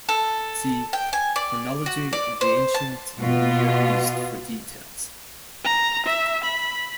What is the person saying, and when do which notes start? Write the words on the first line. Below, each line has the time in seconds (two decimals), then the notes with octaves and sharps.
See Chronology of the Ancient Near East for details.
0.09 A4
0.93 G5
1.13 G#5
1.36 D5
1.86 F#4
2.13 D5
2.41 C5
2.74 A5
3.20 B2 F4
5.64 A#5
6.06 E5
6.43 B5